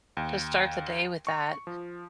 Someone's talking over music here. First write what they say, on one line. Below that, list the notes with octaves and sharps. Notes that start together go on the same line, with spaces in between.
to start the day with that,
D#2
C#6
F3